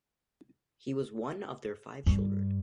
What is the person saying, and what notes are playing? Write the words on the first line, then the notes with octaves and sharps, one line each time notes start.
He was one of their five children.
G2